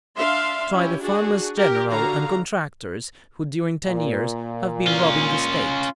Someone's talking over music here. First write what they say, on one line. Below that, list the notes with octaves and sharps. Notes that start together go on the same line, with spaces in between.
"Try the farmers-general and contractors, who, during ten years, have been robbing the state."
D4 E5 F5 C6
C#4 E4 G4
D4 F#4 G#4
G4 A#4
D3 F#4 F5 A#5
A#2
C#4 F4